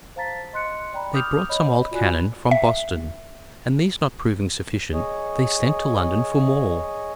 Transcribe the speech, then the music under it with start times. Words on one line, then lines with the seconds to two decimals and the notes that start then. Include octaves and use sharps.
They brought some old cannon from Boston, and these not proving sufficient, they sent to London for more.
0.16 C5 F5 A5 A#5 A6 B6
0.53 D#5 C6 F#6 C#7
0.93 D5 G5 A#5 B5
1.13 D6 D#6 F6 G6 F7
1.49 C#5 D#5 B5
1.91 F4 F#4 D5 G#5 B5 F#6
2.51 E5
4.93 G#4 C#5 D#5